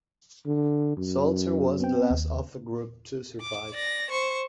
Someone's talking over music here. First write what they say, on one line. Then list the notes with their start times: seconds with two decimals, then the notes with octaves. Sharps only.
Salzer was the last of the group to survive.
0.46 D3
0.97 F#2
1.80 B3 C4 G5
2.11 D#2
3.41 D6
3.73 D5 A#6
4.10 C5 C#6